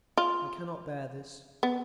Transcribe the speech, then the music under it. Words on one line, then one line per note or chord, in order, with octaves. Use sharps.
I cannot bear this.
F4
B3